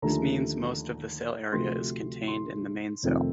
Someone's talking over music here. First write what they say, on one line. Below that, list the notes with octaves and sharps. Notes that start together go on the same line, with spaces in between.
This means most of the sail area is contained in the mainsail.
D#2 D3 F3 A3 A#5
D2 C3 F3 A3 C4 C6
C6
F1 F2 D#3 A3 C4